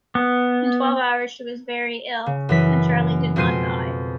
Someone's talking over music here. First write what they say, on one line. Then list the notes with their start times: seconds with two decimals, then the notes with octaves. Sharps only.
In twelve hours she was very ill. And Charley did not die.
0.15 B3
2.26 C#3
2.49 F#2 E3 B6
3.36 F2 B2 G#3 C6 C7 D#7